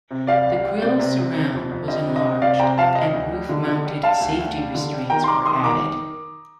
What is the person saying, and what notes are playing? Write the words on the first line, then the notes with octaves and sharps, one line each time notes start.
The grill surround was enlarged, and roof mounted safety restraints were added.
C3
G3 D5 F5
C2
G3
C3 D5
C3
C3
C3
F2
F2
G3 D#5
C3
D#5
C3
C3 D5 F5
C3 G5 A#5
F2 F5 A5
G3 D#5
D2
G3
D3
D3
G3
G3 F5 A5
D2
D2
G3
D3
G3
D#3 G5 A#5
C6
G3 A#5 D6
D#3 C6 D#6
D#3 A#5 D6